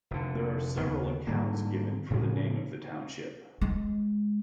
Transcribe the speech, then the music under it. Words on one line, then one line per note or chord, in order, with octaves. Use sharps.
There are several accounts given for the name of the township.
F1 D3
D#2 C#3 B3
G#2 D3 G3 A#3
A2 C#3 F3 G#3
G#3